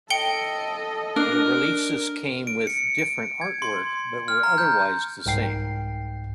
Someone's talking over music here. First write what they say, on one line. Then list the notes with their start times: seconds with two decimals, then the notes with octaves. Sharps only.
The releases came with different artwork, but were otherwise the same.
0.10 A4 D#5 G5 C#7 G7
1.16 D4 A#4
2.47 D7
2.67 C#7
2.98 D7
3.41 G#6
3.62 C6
4.28 F6
4.43 A#5
4.58 G6
5.26 C2 G#2 G5 C7